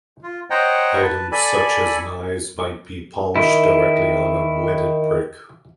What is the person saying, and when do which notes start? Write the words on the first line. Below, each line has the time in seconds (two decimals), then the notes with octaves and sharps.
Items such as knives might be polished directly on a wetted brick.
0.23 F4
0.50 C5 C#5 D#5 F#5 G5 A#5
1.01 B4 A5
1.32 A4 D5 G#5 B5
3.36 D#3 E4